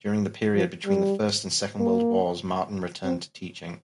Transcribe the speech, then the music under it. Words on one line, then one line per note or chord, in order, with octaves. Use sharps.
During the period between the First and Second World Wars Martin returned to teaching.
F3
G3
A#3
C4